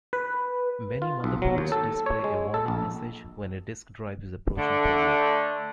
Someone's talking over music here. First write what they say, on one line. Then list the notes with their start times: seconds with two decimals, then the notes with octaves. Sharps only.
Many motherboards display a warning message when a disk drive is approaching failure.
0.13 B4
1.02 F4
1.24 B1
1.42 F#3
1.58 D#2
1.72 A4
2.06 C#5
2.24 G#3
2.54 A4
2.68 A#1
4.57 D3 A3